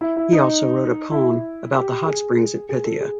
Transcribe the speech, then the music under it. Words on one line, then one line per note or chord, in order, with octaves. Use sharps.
He also wrote a poem about the hot springs at Pythia.
E4
E4
D#4
E4
G4
G#4
G#4
A4
G#4